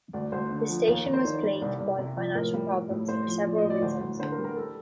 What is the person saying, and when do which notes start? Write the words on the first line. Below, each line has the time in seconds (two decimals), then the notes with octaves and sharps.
The station was plagued by financial problems for several reasons.
0.13 D2 D5
0.32 D2 C5
0.51 D3
0.69 F3
0.87 D#2
1.06 D#2
1.13 C5
1.24 D#3 D5
1.43 G3 D5
1.61 C2 D5
1.80 C2 D5
1.98 C3
2.17 F3
2.35 A2 A#4
2.53 G3
2.72 G3
2.90 A2
3.08 A2 C5
3.27 F3
3.46 F3 D5
3.58 D#5
3.64 A2
3.70 D5
3.82 D2 C5
4.01 D2
4.19 D3 C5
4.32 A#4
4.38 G3
4.44 A#4
4.57 A4